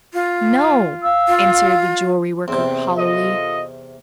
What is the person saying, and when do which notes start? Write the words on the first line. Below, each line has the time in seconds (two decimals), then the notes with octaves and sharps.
"No," answered the jewelry worker, hollowly.
0.13 F4
1.03 F5 E6
1.28 F4
2.48 E2 C3 C4
2.98 F4 A4 D#5